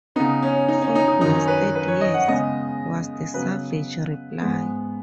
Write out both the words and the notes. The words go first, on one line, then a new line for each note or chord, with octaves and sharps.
"Four blasted years," was the savage reply.
C#3 B3 D#4
C#4
D#4
C#4
D#4
D#4
F#2 D#3 F#3 D#4
C#4
B4
B4
C#5
D#5
F#5
C#3 G#3 B3 D#5
C#3 F#3 B3 B4
G#2 G#3 B3